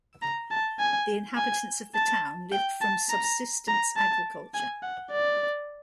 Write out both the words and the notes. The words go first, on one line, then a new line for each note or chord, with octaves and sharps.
The inhabitants of the town lived from subsistence agriculture.
A#5
A5
G#5
G#5
A5
G5
A5
A#5
A#5
A5
G#5
F#5
D5